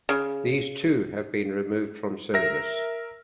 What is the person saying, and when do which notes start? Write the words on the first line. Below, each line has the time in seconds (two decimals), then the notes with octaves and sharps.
These too have been removed from service.
0.09 C#3
2.34 A#4 E5 A#6